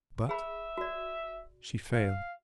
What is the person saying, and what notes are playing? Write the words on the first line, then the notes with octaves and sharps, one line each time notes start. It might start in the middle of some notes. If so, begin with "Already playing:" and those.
But she failed.
G#4 E5 B5
F#4 D5
F5